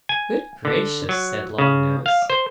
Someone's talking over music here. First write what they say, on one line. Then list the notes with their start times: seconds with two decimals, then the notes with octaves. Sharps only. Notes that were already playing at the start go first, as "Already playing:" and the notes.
'Good gracious!' said Long Nose.
0.09 G#5
0.65 D3
1.09 F#3
1.58 C#3
2.06 F5
2.30 C5